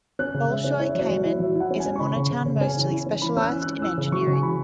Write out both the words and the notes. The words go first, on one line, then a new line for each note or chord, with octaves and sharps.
Bolshoy Kamen is a monotown mostly specialized in engineering.
C#4 F#6
C#3
G#3 E5
C#4
E4 C#5
E5
F#3 C#5
F#3 E5
C#5
E4
F#3 E5
E4
F#5
C#4
G#5
C#4
C#6
C#3 B5
C#3
C#3
C#3
C#4 G#5
E3
E4
C#4
E3 B5
C#4 E6
F#6
E4
F#6
E3
E4 E6
C#3
F#3 C#6
C#3
G#5
E3 B5